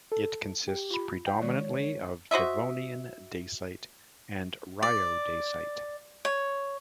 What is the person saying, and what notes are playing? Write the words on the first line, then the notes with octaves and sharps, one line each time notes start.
It consists predominantly of Devonian dacite and rhyodacite.
A4
G4
F4 B5
G5
D#3 G#3 C#5 D5
F#4 C5 D#5 E5
D5
C#5